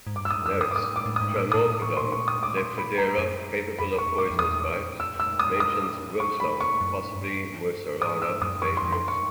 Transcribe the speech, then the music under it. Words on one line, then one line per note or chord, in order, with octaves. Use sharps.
Notes: "Trimorphodon", "Leptodeira" capable of poisonous bites; mentions boomslang, possibly mussurana, dangerous.
G#2
G2 D6
E6
D#6
F2 E6
F#2
D#6
G2
D6
G#2 D#6
A2 D6
A2
D#6
G#2
A2 E6
A#2
D#6
A2
A#2
A2
C#6
A#2 C6
C#6
D#6
D6
C6
B5
A#5
F#2
F2 B5
E2 C#6
F2 D6
F2
E2 D#6
F2
E6
E6
D#6
D#6
F#2 C#6
B5
C#6
F2
F#2
G2
G#2 D#6
G2 E6
F#2 D#6
F2 C#6
C6
F2
C6
F#2
C#6